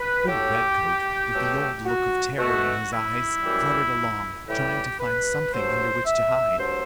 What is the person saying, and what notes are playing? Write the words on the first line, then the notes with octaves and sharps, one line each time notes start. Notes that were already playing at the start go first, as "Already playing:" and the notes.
Poor Redcoat, with the old look of terror in his eyes, fluttered along, trying to find something under which to hide.
Already playing: B4
A2 F#3 A3 G4
B2 F#3 A3
F#4
B2 A3 F#4
E4
F#2 E3 G3
A2 E3 G3 G4
B4
G2 F#3 A3 C5
E5
G2 F#3 A3 C5